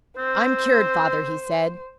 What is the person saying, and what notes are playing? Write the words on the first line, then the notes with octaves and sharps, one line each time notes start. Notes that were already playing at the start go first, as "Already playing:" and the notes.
"I'm cured, father," he said.
C4 C5